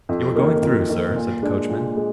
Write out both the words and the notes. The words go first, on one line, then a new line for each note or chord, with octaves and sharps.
'You are going through, sir?' said the coachman.
F2
D#3 A#3
F2
D#3 A#3
A#2
G#3 D4
A#2
G#3